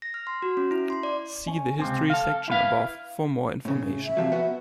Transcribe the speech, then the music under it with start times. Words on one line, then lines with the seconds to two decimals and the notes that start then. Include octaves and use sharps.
See the History sections above for more information.
0.02 A#6
0.14 F6
0.27 C6
0.42 F#4
0.57 C#4
0.71 E4
0.90 C6
1.03 D5
1.46 C#4
1.79 C#2 C3 C4
2.10 A4 F5
2.48 E4 B4 F5
3.65 A2 C#3
4.05 E5
4.17 C3 F3 F#3
4.32 B3 F#4